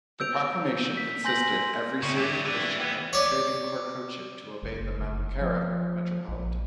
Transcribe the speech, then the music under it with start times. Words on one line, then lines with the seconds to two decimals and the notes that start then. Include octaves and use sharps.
The proclamation insisted every Syrian Christian of Travancore-Cochin to obey the Malankara Metropolitan.
0.20 E6 G6 D7 F7
0.97 B6
1.25 G#5 C6 G6 A#6 F#7
2.03 A2 C#3
2.17 F#3 G3 G4 E5
2.45 E3
2.80 B3
3.13 C#5 D5
4.63 F#1
4.99 F#1
5.41 F3
6.28 A#1